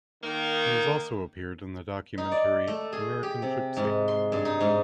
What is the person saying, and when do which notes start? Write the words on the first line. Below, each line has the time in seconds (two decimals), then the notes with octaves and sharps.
He has also appeared in the documentary American Gypsy.
0.23 D#3 A#3
2.18 D#4
2.32 D5
2.68 A3
2.93 G#4
3.23 G4
3.42 C3
3.77 G#2
4.08 C6
4.32 G2
4.45 D#4
4.61 G#2